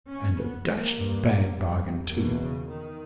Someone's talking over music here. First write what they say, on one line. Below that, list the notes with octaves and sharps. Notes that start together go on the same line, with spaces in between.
'And a dashed bad bargain too.
C#4
B3
A#3
G2
G3
E2 B2 A#3
C#3
D#3